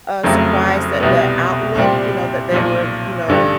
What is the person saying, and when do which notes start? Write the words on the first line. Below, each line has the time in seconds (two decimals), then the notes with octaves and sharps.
uh, surprised that their outlook, you know, that they were, you know
0.23 F1 F2 C#3 F#3 A3
1.00 C2 B2 G3 B3
1.75 C2 A#2 G3 C4
2.51 B1 A#2 F3
3.28 A1 G2 D3